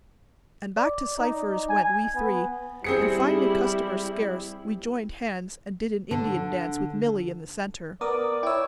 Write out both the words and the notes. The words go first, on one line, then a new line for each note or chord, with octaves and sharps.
And back to Cypher's went we three, and, finding customers scarce, we joined hands and did an Indian dance with Milly in the centre.
D5
D#4
G#5
B3
G3 C4 E4 G#4 C#7
D3
B3 A#4 D5 D6 D#6
E4 C#5 G5 E6